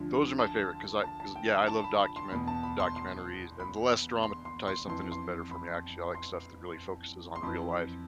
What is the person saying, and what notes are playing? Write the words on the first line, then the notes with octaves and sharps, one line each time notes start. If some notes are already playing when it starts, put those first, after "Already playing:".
Those are my favorite 'cause I 'cause yeah, I love document documentaries, and the less dramatized something is, the better for me, actually, I like stuff that really focuses on real life.
Already playing: D2 D3 F3
A5
A5
A5
G5
A5
B5
B5
C6
E2 B2 B5
A5
B5
C6
C6
B5
C6
C6
C6
F2 E3 C6
C6
B5
C6
C6
F2 E3 B5